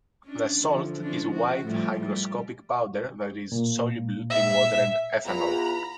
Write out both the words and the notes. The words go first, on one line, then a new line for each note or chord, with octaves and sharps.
The salt is a white hygroscopic powder that is soluble in water and ethanol.
C#4 D4
D3 E3 F3
F3 C#4 D4
F#4
A2 F3 G3
G3
A#2
E5
E2 F4 A#5 B5